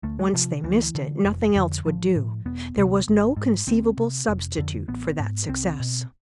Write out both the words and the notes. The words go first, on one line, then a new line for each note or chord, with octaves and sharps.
Once they missed it nothing else would do; there was no conceivable substitute for that success.
D2 A3
G#3
C3 F3
D2 E3
D3
F1
F2 D3
A1 F3
A2
E1 B3
D2 C3
G#1
G#2
D2 C4
C3
F1
F2 D3
A1 B3
G#2
C2 C4
B2